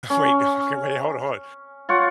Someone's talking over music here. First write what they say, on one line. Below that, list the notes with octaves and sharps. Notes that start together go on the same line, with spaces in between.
Wait. Okay, wait, hold on hold on,
C#4
F4 C#5 F#5